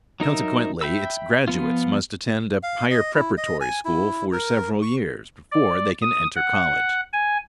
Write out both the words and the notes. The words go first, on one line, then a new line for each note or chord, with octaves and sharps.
Consequently its graduates must attend a higher preparatory school for several years before they can enter college.
F#3 D#4 A#4 E5
E5 G5 B5 E6
F3 B3 F4
F5
D#5
E4
D#5
G#5
E4
A#4
C#6
D5
D#6
F#5
G#5